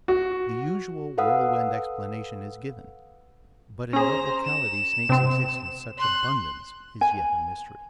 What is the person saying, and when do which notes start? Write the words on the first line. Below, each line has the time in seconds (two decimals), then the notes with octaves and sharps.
The usual whirlwind-explanation is given--"but in what locality snakes exist in such abundance is yet a mystery."
0.08 F#4
1.18 A4 B4 F5 F#5 D#6 E6
3.93 C#4 G#4 C5 A#5
4.46 E7
5.09 C3 C4
5.98 C6 F#6
7.01 G#5